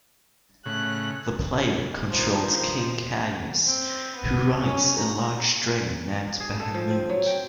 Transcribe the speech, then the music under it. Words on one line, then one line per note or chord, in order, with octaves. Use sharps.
The player controls King Kayus, who rides a large dragon named Bahamoot.
A2 C#3 F#6
D#3 F3 D#4 C5
C4
B3
C#4
A#5
G#4
A4
F3
C4
F#3
G5